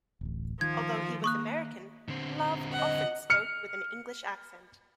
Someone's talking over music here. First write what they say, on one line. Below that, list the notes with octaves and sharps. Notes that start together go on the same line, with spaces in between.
Although he was American, Love often spoke with an English accent.
D1 A1
D#3 F3 G#6
A#3 C#6 D#6 F#6
D3 C4
D#5 F#5
F6 C#7